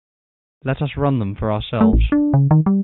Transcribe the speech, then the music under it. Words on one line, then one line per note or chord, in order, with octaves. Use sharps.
Let us run them for ourselves.
A3
A1
D4
C#3
D#3
G3